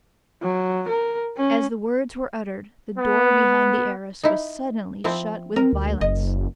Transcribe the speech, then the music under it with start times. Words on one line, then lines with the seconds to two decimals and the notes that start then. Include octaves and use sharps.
As the words were uttered, the door behind the arras was suddenly shut with violence.
0.42 F#3
0.88 A#4
1.37 C#4
2.98 B3
4.23 D#4 E4
5.04 F3 C4 E4
5.56 C4 A#4
5.73 D2
6.01 F#1 D#5